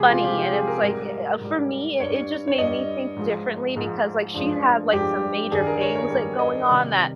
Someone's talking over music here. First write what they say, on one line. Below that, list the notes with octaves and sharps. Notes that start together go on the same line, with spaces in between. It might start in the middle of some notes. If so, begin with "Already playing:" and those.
funny, and it's like eh eh, for me i it just made me think differently because, like, she had, like, some major things, like, going on that
Already playing: C3 F3 G#3 G4 G#4
F4
C3 F3 G#3 G4
G4
G#4
A#4
G#2 G3
G#2 G3
G2 G3 C#5
C#5
G2 G3 D#5
G#2 F3 G#3
G#2 F3 G#3
G2 F3 G#3
G2 F3 G#3 G4
G2 D#3 G3 G#4
A#4
C#5
C#5
G2 D#3 G3
D#5
C3 D#3 G3